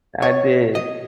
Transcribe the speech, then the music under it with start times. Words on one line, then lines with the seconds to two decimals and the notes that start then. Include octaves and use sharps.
I did.
0.22 C#5
0.75 D#5